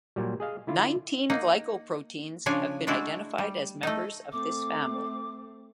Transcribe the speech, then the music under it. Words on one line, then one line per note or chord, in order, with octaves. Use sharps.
Nineteen glycoproteins have been identified as members of this family.
A#2 F#3 G3
G#4 D#5 F5
D3 E4 F4
A#3 D#4 F#5
C#3 F3 D4 C#5 G#5
G#3 A3 D4 E4 F#4
G3
A3 D#4
A3 C4 D6